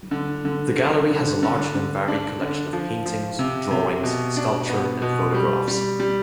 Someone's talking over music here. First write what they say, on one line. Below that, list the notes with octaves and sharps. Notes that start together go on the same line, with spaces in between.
The Gallery has a large and varied collection of paintings, drawings, sculpture and photographs.
D3
D3
D3
D3
D3
D3
D4
D3
F3
F3
C3
C3
B2
D4
B3
B2
G3
G3
G3